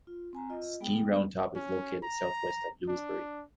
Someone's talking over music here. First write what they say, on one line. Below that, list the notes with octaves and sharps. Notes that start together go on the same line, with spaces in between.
Ski Roundtop is located southwest of Lewisberry.
F4
C4 G#5 A#5
F4 D#5
G#3 B3 G#4 G5
C#4
A#5
D4